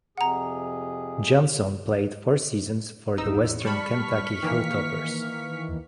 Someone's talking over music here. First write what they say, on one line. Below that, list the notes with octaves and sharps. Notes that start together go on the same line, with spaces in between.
Johnson played four seasons for the Western Kentucky Hilltoppers.
F2 C3 G#4 F#5 A#5
A1 E2 D#4 E6
G3 A5 B5 C#6 F6 B6
D#3 E3 A#3